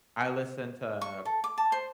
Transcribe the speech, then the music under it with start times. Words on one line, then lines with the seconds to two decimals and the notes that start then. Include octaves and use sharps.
I listen to
1.01 C#6
1.25 A4
1.44 D6
1.58 A5
1.72 C5